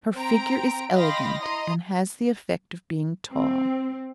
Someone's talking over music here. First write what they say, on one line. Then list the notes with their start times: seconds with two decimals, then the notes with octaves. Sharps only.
Her figure is elegant and has the effect of being tall.
0.15 C4 G5 A#5 D7
0.92 D#5 F5 G5 B5 C6 A#6
1.41 E4 D#5 A#5 C6 D#6
3.31 C4